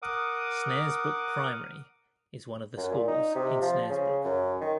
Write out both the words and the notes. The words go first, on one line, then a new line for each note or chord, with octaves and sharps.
Snaresbrook Primary is one of the schools in Snaresbrook.
A#4 F#5 D6 D#6
F#2
A#2
D#4
C3
F3
C#3
F#2
D#3